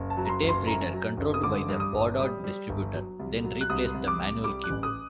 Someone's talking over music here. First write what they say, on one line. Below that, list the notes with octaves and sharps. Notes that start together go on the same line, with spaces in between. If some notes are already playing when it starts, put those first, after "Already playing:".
A tape reader, controlled by the Baudot distributor, then replaced the manual keyboard.
Already playing: F#1
A5
F#3
A#5
C6
F#1
C6
F#2 A#5
F#3
F#1
D#6
D3 D6
G2
D#6
G1
G3
G3
G1
F#3
C2
F#3
F#6
C2 D#6
C2
D6
C2
G3 D6
F#6
A1
D#6